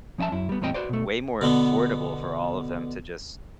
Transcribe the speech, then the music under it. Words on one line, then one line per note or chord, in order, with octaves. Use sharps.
way more affordable for all of them to just
F3 C#4 D#5 E5 A5
F#2 E4
G3 B3
E2 A2 G3 C4 D#5 G5
F#4 B4 C5 D5
B2 A3
B2 D3 B3